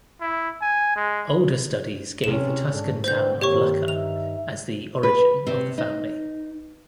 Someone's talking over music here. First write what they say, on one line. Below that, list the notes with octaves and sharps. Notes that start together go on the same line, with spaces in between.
Older studies gave the Tuscan town of Lucca as the origin of the family.
E4
G#5
G#3
E2 C3 C#4 E7
G#2 C#3 D4 A4
D3 E3 C4 C5 G6
G2 D#3 A#3 C4 G4 C5 C#5 C#6
D#4 E5 F7
B4
C3
D#4